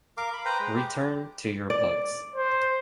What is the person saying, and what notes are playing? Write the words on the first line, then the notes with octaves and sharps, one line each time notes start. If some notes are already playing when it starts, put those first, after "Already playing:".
Return to your books.
A#4 F5 D6
B5
B4 C5 G5 A#5
G#3
G4
D5
C5